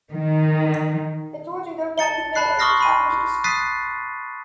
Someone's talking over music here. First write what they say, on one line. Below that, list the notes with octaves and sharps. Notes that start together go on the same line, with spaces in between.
Its origin goes back to the Middle Ages, at least.
D#3
A5 A6 C#7 G7
A5 B5 F#6 C7
C6 C#6 D#6 F6 A#6 C7
B5 D#7
D#6 F#6 A6 B6 C7 D#7